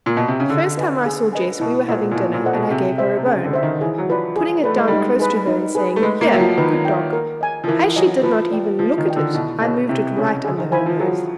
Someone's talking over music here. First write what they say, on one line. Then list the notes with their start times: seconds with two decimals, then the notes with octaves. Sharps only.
The first time I saw Jess we were having dinner, and I gave her a bone-- putting it down close to her and saying, "Here! good dog!" As she did not even look at it, I moved it right under her nose.
0.06 A#2
0.17 B2
0.28 C3
0.40 C#3
0.49 D3 G#4
0.78 B4 D#5 G#5
1.06 G#4
1.33 B4 D#5 G#5
1.60 B2 E4
1.88 A#2 A4 C5 D#5 F#5
2.11 A#2
2.15 B2 E4
2.34 A#2
2.44 A4 C5 D#5 F#5
2.53 B2
2.71 C3 G#4
2.98 C5 E5
3.17 C3
3.26 C#3 G#4
3.45 D3
3.53 C5 E5
3.63 D#3
3.81 E3 G#4
3.98 F#3
4.09 F3 B4 D5
4.36 G#4
4.64 A3 B4 D5
4.76 G#3
4.88 G3 D#4
5.00 G#3
5.19 G#4 B4
5.47 D#4
5.75 G#4 B4
5.96 A3
6.02 G#3 B4
6.21 A#3
6.31 F#3 E5 G5
6.40 F3
6.57 D#3 B4
6.85 E5 G5
7.13 A#4
7.41 D#5 G#5
7.64 F3
7.68 E3 A#4
7.96 F#3 D#5 G#5
8.23 F3 B4
8.52 D5 G5
8.79 F3 B4
8.98 D#3
9.07 D5 G5
9.16 D3
9.34 B2 E4
9.61 B2 G#4 C#5
9.89 C3 E4
10.16 C#3 G#4 C#5
10.44 D3 G#4
10.58 D#3
10.72 E3 C5 F5 G#5 B5
10.86 F3
10.99 F#3 G#4